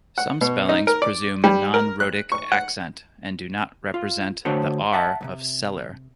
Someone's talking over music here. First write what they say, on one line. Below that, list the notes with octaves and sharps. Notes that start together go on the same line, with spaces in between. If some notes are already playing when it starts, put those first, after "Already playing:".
Some spellings presume a non-rhotic accent and do not represent the R of "cellar".
F#5
B2
D#4
A#4
D5
G3
A#4
F#6
C#6
F#5
F4
D3 A3 D4 F#4 C5 C#5
E5 F#5 A5 A#5
B1 C3